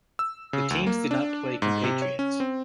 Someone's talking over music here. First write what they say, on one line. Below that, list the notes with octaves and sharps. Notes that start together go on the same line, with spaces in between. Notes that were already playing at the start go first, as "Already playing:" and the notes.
The teams did not play compatriots.
E6
C#3
D2
A#3
D4
G#2
C3
C#5
C#4
C4